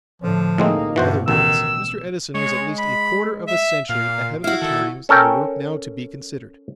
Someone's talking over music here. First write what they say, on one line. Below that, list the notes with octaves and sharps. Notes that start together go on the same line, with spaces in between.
In other words, Mr. Edison was at least a quarter of a century ahead of the times in the work now to be considered.
A2 D3 F3
A2 G#3 A#3 C4 D#4
G2 B2 E3 F#4 C5
A1 D2 D#3 E6
G#3 C#5
B5
E5
A#2 F5
E4 F#4 F5
D#3 A4
C#4 A4 A#4 G5